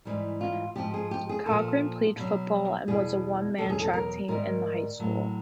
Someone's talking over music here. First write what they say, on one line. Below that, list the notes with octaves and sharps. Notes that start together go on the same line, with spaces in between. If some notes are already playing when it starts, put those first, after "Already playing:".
Cochran played football and was a one-man track team in the high school.
G#2 E3 G3
F4
G#2 F3 G4
G#4
G4
G#4
A#2 F3 A4
B2 F#3
E2 B2 G3 G#4
E2 B2 F#3 A4
G#4
A4
A#4
G#2 D#3 G3 A#4
A2 F#3